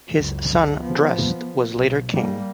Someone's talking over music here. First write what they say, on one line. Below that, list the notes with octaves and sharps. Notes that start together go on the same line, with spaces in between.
His son Drest was later king.
F#1 C#2
F3 B3
B1
G3 A#3